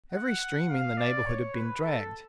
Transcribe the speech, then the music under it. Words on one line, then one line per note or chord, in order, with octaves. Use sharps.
Every stream in the neighbourhood had been dragged.
F#5
F5
D5
C#5
B4
A4